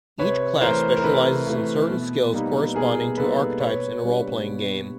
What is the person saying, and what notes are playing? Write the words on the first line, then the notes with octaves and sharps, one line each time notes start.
Each class specializes in certain skills corresponding to archetypes in a role-playing game.
C3 B4 C#5
E3 A3 A#4 C5
A#4
C3 A4 B4
E3 A3
B2
G3 A#3 D#4
B2 G#4 A#4
G3 A#3 D#4 A4 B4
B2 B4 C#5
G3 A#3 D4
B2